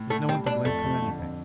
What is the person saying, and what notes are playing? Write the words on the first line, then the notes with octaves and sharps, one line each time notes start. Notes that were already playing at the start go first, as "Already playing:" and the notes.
"Is no one to blame for anything?"
Already playing: A2
A2 A3
G3 C4
A2 D4
F2 A3
F2
D3
F2